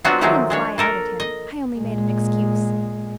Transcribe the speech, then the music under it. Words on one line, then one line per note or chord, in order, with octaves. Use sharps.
I didn't fly out at him--I only made an excuse.
F#3 B3 C4 D4 F4 F#4
D#3 F3 F#3 G#3 A3 C4
G#3 D4 C#5
A#3 A4 A#4
D#5
A#2 G#3